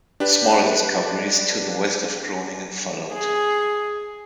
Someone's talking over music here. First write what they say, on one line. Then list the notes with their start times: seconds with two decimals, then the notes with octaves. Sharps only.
Smaller discoveries to the west of Groningen followed.
0.20 D4 G4 B4
3.14 G#4